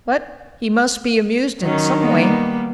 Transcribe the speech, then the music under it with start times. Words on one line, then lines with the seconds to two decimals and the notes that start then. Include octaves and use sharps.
But he must be amused in some way.
1.63 D#3 F#3 C#4
2.01 G3 A#3 B3